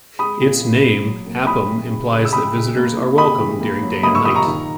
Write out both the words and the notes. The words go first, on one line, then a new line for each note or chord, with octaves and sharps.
Its name 'apm' implies that visitors are welcome during day and night.
G#3 B5 D#6
A#2
A#2
A#2
F#3
A#3
E4 B5 D#6
E4
C#3
C#3
E6
G#3 B5 D#6
C#3
A#3
E4
C#3 B5 D#6
E3
A#3
F#3
A#3 B5 D#6
C#6 E6
A#2 B5 D#6
A#5 C#6
D#3